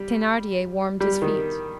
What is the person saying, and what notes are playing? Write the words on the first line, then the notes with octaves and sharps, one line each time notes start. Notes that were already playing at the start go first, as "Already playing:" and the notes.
Thenardier warmed his feet.
Already playing: G3
G3
D#3